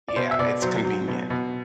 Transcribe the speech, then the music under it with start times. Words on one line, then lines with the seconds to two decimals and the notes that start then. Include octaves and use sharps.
yeah, it's convenient.
0.08 D5
0.16 B2 C5
0.31 E5
0.39 B2 D5
0.62 F#3 C5
0.85 F#3
1.08 B2
1.30 B2